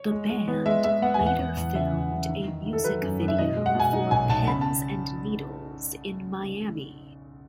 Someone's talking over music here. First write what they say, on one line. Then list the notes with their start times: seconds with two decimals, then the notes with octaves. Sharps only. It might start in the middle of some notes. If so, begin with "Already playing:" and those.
The band later filmed a music video for "Pens and Needles" in Miami.
Already playing: C#5
0.11 G#3
0.30 G#3
0.48 B3
0.66 G#3 E5
0.84 G#3 E5
1.02 B3 F#5
1.14 G#5
1.20 E2
1.26 F#5
1.39 E2
1.57 E2
1.75 C#3 E5
1.93 E2
2.12 C#3
2.29 D#3
2.48 D#3
2.66 D#3
2.73 A4
2.84 F#3 B4
3.02 F#2
3.20 F#2
3.28 E5
3.38 B2 D#5
3.57 G#3
3.66 F#5
3.75 B2 G#5
3.93 D#4
4.11 B1 G#5
4.29 B1 A5
4.47 C#3 B5
4.61 A5